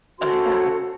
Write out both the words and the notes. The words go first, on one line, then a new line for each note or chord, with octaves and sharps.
Uh, yeah,
C#4 F#4 A4 C5 C6
C#5